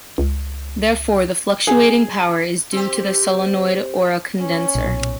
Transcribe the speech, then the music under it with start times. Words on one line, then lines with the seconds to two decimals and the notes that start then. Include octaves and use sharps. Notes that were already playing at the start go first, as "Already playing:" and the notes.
Therefore, the fluctuating power is due to a solenoid or a condenser.
0.18 C#2
1.67 G#4
2.72 C4 G4
4.39 C#4
4.75 B1 A#2